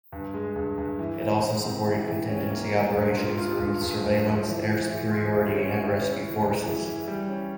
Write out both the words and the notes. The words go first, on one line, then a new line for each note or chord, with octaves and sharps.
It also supported contingency operations through surveillance, air superiority and rescue forces.
G2
G#3
G2
G2
E3
E3
G#2
C4
E3
E3
C#4
A#3
G3
G2
F4
F4
G2
G2
G2
F3
E3
E3
E3
F4
E4
C#4
E4
C#4
E3
G#3
E3
E3
G3
C#4